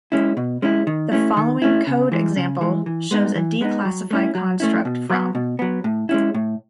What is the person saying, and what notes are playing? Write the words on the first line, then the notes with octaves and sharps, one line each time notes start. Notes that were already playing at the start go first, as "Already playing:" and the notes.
The following code example shows a declassify construct from.
G#3 C#4 E4
B2
G#3 C#4 E4
D#3
A3 C#4 E4
D#3
A3 C#4 E4
C#3
E3 G#3
C#3
E3 G#3
E3
G#3 B3 D#4
E3
G#3 B3 D#4
F#3
A3 C#4 E4
F#3
A3 C#4 E4
B2
F#3 B3
B2
F#3 B3
A2
G#3 C#4 E4
A2